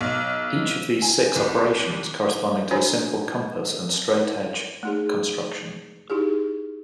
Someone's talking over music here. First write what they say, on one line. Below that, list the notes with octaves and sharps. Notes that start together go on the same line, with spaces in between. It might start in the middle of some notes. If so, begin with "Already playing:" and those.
Each of these six operations corresponding to a simple compass and straightedge construction.
B1
G#5
C2
D4 F#4 C5 C#5 G#5 A#5
C#5
A3 D#4 G#4
D#4 E4 G4 G#4